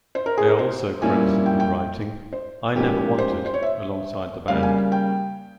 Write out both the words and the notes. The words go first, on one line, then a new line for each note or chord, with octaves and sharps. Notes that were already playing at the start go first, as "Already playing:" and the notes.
They are also credited with writing "I Never Wanted" alongside the band.
C5
A#4
G#4
A#4
C5
A#2 G3 A#3 C#4 E4 G#5
G5
G5
C5
G#2 F3 A#3 C#4 G4
C5
C5
C#5
E5
C#3 G3 A#3 F5
G#5
G5